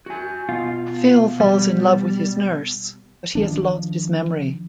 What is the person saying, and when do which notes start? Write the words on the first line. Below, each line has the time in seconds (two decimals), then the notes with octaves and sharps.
Phil falls in love with his nurse but he has lost his memory.
0.06 F#4 G#5
0.49 B2 F4
1.40 G3
3.35 D#3 F3 D4